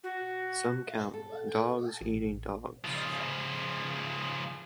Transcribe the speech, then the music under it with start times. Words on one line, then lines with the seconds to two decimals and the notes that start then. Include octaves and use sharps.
Some count "Dogs Eating Dogs".
0.03 F#4
1.14 A4
2.01 A1
2.84 C#3 F3